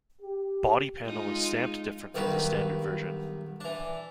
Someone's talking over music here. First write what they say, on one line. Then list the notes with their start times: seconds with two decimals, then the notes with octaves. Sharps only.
Body panel is stamped different from the standard version.
0.21 G4
1.05 G#3 D#4 F4
2.15 B1 G2 D#3 F#4 B4
3.60 E3 D4